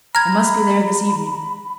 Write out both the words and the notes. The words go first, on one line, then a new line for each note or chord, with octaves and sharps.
"I must be there this evening."
A#5 B5 F6 G#6